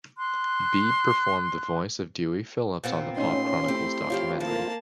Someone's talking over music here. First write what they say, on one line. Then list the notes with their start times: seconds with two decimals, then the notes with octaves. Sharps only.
Beebe performed the voice of Dewey Phillips on the Pop Chronicles documentary.
0.17 C6 F#6
2.84 A#2 B3 C4
3.17 A3 C#4 D#4 C6
3.68 A3 C4 E4 G4
4.10 F3 F4 G4 C#5
4.40 F3 A#3 A5